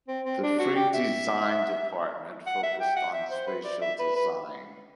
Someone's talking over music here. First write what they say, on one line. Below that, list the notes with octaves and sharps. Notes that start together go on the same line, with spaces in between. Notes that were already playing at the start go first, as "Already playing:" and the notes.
The Free Design department focused on spatial design.
C4
C4
D4
F#4
G4
E5
F#5
E5
G5
F#5
E5
C5
B4
D5
E5
B4
B4